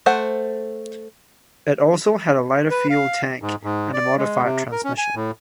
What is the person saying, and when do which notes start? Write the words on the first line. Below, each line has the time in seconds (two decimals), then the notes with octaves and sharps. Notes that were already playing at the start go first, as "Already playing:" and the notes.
It also had a lighter fuel tank and a modified transmission.
0.06 A3 C5 F#5
2.70 B4
2.90 F5
3.42 G#2
3.63 G#2
3.93 D5
4.18 G#3
4.42 C3
4.72 A#4
4.84 C#4
4.98 G#5
5.15 A2